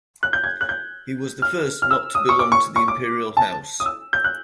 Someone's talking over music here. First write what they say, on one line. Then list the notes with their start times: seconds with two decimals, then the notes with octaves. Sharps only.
He was the first not to belong to the Imperial house.
0.23 F#6
0.33 G6
0.44 G#6
0.61 F#6
0.69 G6
1.42 F6
1.82 F6
1.91 E6
2.15 D#6
2.29 C#6
2.39 D6
2.52 C#6
2.76 C#6
2.88 D6
3.37 A5
3.80 D#6
3.86 E6
4.13 G6
4.24 F#6